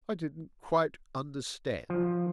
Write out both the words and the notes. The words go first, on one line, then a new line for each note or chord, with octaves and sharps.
"I didn't quite understand."
F3